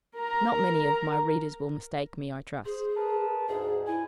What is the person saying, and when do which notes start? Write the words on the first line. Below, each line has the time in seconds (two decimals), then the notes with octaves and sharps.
Not many of my readers will mistake me, I trust.
0.17 A#4 A#5
2.65 G#4 C5
2.96 A#4 B4 A5
3.48 D2 G#2 G#4
3.87 E4 G#5